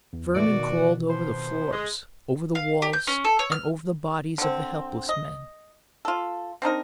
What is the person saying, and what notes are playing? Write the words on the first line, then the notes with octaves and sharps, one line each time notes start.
Vermin crawled over the floors, over the walls and over the bodies of the helpless men.
E2
A2 E3 A3 F#4 D5
B2 D#3
F2 B3 C5
G#3
F5
G4
G6
C#4
A4
C#5
F6
D3 C4
D#5
F4 A4
C4 D4 D#4 A#4